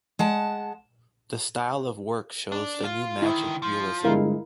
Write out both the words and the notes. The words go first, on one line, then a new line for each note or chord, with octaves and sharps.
The style of the work shows the new magic realism.
G#3 F#5 A5
D4
F4
D2 D#3 E4
F3
G1 G#3 E4 A#4 F5